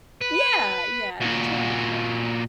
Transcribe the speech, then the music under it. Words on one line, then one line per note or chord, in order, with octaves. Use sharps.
Yeah. Yeah and that's wonderful.
B4
A#2 F#4